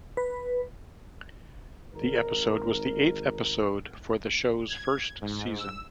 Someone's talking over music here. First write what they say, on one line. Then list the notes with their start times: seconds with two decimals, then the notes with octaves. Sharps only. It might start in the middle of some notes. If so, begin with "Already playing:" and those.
The episode was the eighth episode for the show's first season.
0.17 B4
1.95 G#1 A#4
4.68 G#6
5.22 G#2
5.58 E6